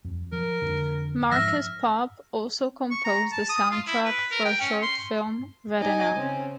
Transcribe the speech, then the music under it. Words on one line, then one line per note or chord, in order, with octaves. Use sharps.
Markus Popp also composed the soundtrack for a short film Retina.
F2
F3 A#4
F2 D3
G#2 F3 E5 F6 A#6
C#6
A#5
A5
D#6
F4
E4
B4
A#4
G5
C#4
C6
D#4 D#5 G#5 D6
C#3 C4 C#4